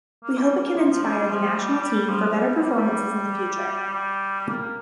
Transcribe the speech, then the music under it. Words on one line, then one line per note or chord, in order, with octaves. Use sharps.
We hope it can inspire the national team for better performances in the future.
A#3
G3
A#3
F3
F3
G3
F3
G3
G3
F3
G3
G3
A#3
G3
G3
G3
A#3